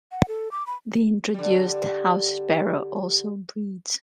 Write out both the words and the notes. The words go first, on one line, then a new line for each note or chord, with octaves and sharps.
The introduced house sparrow also breeds.
F#5
A4
D6
B5
D3 G3